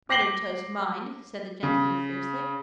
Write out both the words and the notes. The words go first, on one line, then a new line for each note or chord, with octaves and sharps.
'Buttered toast, mind,' said the gentleman fiercely.
D6 A#6 C7 F#7 G7
C#3